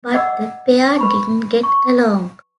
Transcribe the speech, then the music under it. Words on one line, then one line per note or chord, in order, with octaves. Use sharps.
But the pair didn't get along.
D5 D#5 F#5 D6 E6
B4 B5 C#6
C#6